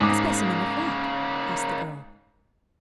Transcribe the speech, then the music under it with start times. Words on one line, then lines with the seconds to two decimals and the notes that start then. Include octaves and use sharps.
"A specimen of what?" asked the girl.
0.01 G#2 C#3 A#3 D6